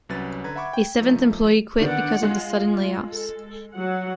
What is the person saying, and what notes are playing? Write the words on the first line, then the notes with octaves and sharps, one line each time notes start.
A seventh employee quit because of the sudden layoffs.
C2 F#3 C#4 B4 A6
D3 B4 A#5 G#6
E5 F#5 B5 C#6 D6 G#6
G5
F3 A3 D#4
D3 D#3 B3 D5 F#5
G#3 F4
A4
F#3 F#5